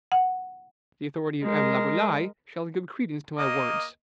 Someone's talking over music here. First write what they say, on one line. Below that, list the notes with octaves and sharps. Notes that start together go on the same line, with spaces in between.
The authority of M. Laboulaye shall give credence to my words.
F#5
G#3 A#4
A#3 D#5